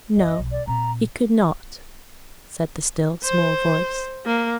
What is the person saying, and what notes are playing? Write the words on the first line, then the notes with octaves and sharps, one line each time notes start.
No! he could not, said the still small voice.
F#1 D3 D#5
B1
D5
A#2 C4 A#5
C5
A#3